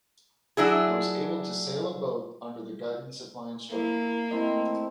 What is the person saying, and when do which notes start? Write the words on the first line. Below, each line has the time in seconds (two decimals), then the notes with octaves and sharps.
I was able to sail a boat, under the guidance of my instructor.
0.57 F#3 D4 E4 G#4
3.71 A#3 E4
4.31 A3 C4 E4 D#5